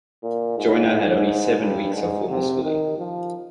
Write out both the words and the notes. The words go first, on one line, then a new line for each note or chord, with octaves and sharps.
Joiner had only seven weeks of formal schooling.
A#2
G#2
G2
G#2
C3
D#3
F3